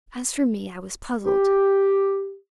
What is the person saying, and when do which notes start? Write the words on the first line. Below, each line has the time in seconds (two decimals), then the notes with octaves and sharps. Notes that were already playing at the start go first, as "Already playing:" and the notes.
As for me, I was puzzled.
1.25 G4